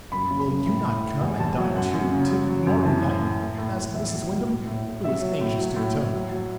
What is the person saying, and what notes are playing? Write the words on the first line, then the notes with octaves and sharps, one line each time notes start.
"Will you not come and dine too, to-morrow night?" asked Mrs. Wyndham, who was anxious to atone.
F#2 B5
C#3
B5
F#2
A2
A2
A2
E2
E2 A5
F#3
F#2 F#5
F#2
C#3
F#3
F#3
F#2
E3 A5
A2
A2
A2
A2
A2
E2 E5
F#3
B2
A2
A2
A2
F#3 E5
F#3
A2
F#3
A2
A2
F#3
F#3